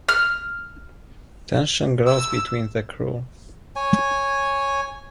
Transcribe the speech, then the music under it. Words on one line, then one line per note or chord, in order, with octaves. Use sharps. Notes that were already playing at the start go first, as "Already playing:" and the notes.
Tension grows between the crew.
F6
E6
C#5 G#5